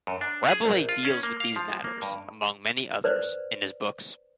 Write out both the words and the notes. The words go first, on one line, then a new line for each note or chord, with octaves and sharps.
Rabelais deals with these matters, among many others, in his books.
F#2
D4
G#4
A#1
F4
C#4
A#3
F5
F3
A#3
G2
B4 C5 D5